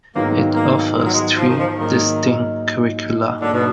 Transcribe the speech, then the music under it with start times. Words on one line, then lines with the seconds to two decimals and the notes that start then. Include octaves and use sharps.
It offers three distinct curricula.
0.15 G#2 D#3 F#3 A#3 B3 F4
0.56 A#3
0.97 G#3
1.05 F#3
1.13 G#3
1.37 F3
1.49 D#3
1.59 F3
1.78 G#2 D#3 F#3 A#3 D#4
3.41 G#2 D3 F#3 A#3 D4
3.53 B2